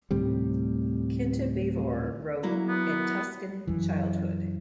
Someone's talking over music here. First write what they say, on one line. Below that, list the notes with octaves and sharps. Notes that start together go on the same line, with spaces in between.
Kinta Beevor wrote "A Tuscan Childhood".
D2 A2 C3 G3
F#3 A#3 E4
B3
F#2 E3